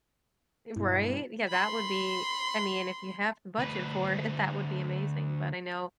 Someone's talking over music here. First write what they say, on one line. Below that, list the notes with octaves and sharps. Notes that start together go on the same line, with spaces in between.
Right? Yeah, that would be I mean if you have the budget for it, that would be amazing, but I know
G2 B2 B3 E4
B5 C6
D2 B4